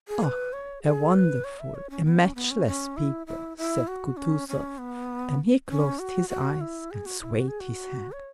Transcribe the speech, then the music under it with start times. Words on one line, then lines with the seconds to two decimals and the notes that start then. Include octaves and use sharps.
"Ah... a wonderful, a matchless people!" said Kutuzov; and he closed his eyes and swayed his head.
0.08 G#4
0.24 B4
0.53 C#5
0.83 G#4
1.14 B4
1.44 C#5
1.60 E5
1.75 C#5
1.90 C#4
2.05 B3
2.20 C#4
2.35 B3
2.51 C#4
2.66 C#4
2.97 E4
3.27 E4
3.57 E4
3.87 F#4
4.17 C#4
4.48 C#4
4.78 B3
5.69 C#4
5.99 F#4
6.29 F#4
6.61 E4
6.91 G#4
7.06 F#4
7.21 E4
7.36 F#4
7.48 G#4
7.60 F#4
8.12 C#5